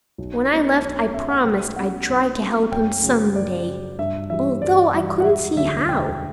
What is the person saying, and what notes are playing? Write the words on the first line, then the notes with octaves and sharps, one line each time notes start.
When I left I promised I'd try to help him someday, although I couldn't see how.
B1
B2 A3 C#4
B1 C#5
C#5
B2 A3 C#4 E5
F#5
B1 G5
B2 A3 C#4 F#5
B1
B2 A3 C#4
F#2 G5
C#3 F#3
F#2 D5
C#3 F#3
G2 E5
E3 G3 E5
G2 D5
E3 G3
F#5
E1 E5
D2 D3 F#3 E5
E1 G5